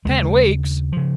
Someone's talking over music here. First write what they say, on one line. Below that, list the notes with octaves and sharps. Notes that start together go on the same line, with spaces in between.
"Ten weeks!"
D#2 C#3 G#3
C#3 F3